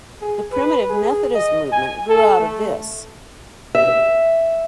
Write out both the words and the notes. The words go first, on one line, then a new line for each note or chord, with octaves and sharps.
The Primitive Methodist movement grew out of this..
G#4
B4
G#4
D#5
G#5
A4
A3
E5